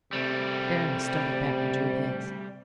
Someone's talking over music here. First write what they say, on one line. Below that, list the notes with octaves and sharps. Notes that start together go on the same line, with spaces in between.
Aramis started back and drew his.
C3 G3 A3